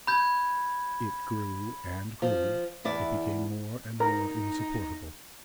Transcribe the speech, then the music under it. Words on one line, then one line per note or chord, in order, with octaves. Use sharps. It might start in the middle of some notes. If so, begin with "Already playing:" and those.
It grew and grew, it became more and more insupportable.
B5 G6 G#6
F3
E2 E4 D5
D#4 A#4 A#5